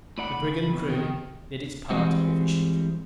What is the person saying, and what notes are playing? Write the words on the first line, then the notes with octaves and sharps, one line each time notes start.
The brigand crew did its part efficiently.
A2 D5 F#5 B5
C#3
F2 B2
D#3
E3 G3 G#3 C4 F#4